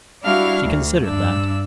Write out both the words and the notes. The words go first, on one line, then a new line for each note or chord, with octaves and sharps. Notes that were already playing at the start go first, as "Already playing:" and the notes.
She considered that.
G3 D4 E4 F#4 F5 F6
D2
G2 D4 E6